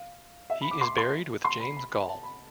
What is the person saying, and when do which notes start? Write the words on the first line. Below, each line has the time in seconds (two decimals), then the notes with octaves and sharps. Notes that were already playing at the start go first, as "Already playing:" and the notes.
He is buried with James Gall.
Already playing: F5
0.50 E5
0.61 B5
0.71 D6
0.81 C6
0.98 C6
1.44 C6
1.60 B5
1.77 B5
1.93 B5
2.09 A5
2.23 B5